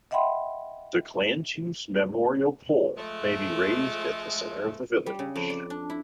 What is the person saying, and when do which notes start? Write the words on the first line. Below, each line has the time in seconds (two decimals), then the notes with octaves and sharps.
The clan chief's memorial pole may be raised at the center of the village.
0.11 D#5 E5 F#5 G5 B5 C6
2.96 F3 G#3 A3
5.06 G3
5.19 C#3
5.36 F2
5.50 D5
5.70 D4
5.90 E4